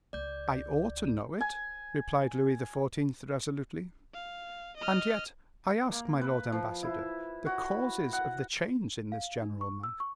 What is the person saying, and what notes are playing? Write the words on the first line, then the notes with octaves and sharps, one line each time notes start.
"I ought to know it," replied Louis XIV., resolutely; "and yet I ask my lord ambassador, the causes of the change in this General Monk?"
C#2 D5 G6
G#5
F5
D#5 F6
A#3
B4
F3
E4
F#4
B5
F#5
F5
D#4
C#6
E6
C#6